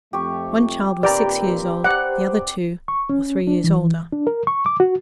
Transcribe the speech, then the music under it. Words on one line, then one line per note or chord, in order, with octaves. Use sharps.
One child was six years old, the other two or three years older.
F2 A3 G4 C#6
D#2 A#2 C4 G4 B4 D5 G5 A#5
C5 D5 F#5
C#6
C#4
D4
E3
D4
A#4
C#6
D6
F#4